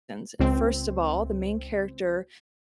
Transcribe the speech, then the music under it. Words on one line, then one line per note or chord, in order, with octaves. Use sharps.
And first of all, the main character,
C#2 C4